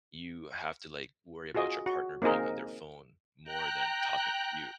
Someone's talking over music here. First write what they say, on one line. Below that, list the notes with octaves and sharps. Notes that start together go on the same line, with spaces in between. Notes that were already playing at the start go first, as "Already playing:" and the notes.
you have to, like, worry about your partner being on their phone more than talking to you,
F4 F#4 G#4 D#5
F#4
A#3 C4 D#4 G#4 A#4
G5 A#5 F#6